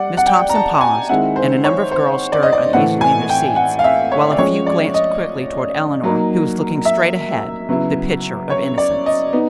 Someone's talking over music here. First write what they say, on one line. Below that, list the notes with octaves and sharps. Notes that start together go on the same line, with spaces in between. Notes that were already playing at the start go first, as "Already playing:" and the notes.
Miss Thompson paused and a number of girls stirred uneasily in their seats, while a few glanced quickly toward Eleanor, who was looking straight ahead, the picture of innocence.
Already playing: G3 D5 F#5
F#5
G5
A#5
A5
G#5
D#3 G#3 C4 E4 F#5
C5
C#5
C5
D5
D#5
D5
A2 E3 A3 F#5
G#5
G5
F#5
F5
E5
C#5
D5
F3 G#3 C#4 C#5
D5
D#5
F#3 A#3 D#4
E5
C#3 F#3 B3 E4
C#5
D5
D#5
B3 D#4